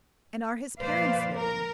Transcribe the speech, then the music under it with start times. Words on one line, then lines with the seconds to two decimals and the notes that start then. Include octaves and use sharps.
"And are his parents living?"
0.79 A#2 F3 B4 C5 D5 F5
1.35 A#4